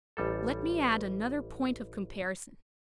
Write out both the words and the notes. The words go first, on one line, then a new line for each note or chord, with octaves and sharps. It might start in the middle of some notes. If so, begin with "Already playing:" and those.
Let me add another point of comparison.
A1 G3 A4